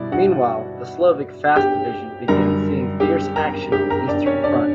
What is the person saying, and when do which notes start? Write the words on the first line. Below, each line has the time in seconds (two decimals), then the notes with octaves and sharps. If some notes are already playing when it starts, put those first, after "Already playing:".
Meanwhile, the Slovak Fast Division began seeing fierce action on the Eastern Front.
Already playing: B2 G3 E4 D5
0.12 F#4 F#5
1.56 G4 G5
2.28 F#2 D3 G3 A#4 A#5
3.00 G4 G5
3.36 A#4 A#5
3.72 G4 G5
3.90 A#4 A#5
4.08 D4 D5
4.26 C#4 C#5
4.44 D4 D5